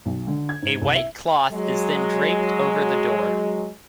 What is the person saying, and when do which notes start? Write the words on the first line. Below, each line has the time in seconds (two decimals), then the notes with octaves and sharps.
A white cloth is then draped over the door.
0.05 B1
0.27 D3
0.49 G#6
0.62 G#2
0.81 C2
0.95 E5
1.51 F#3 G#3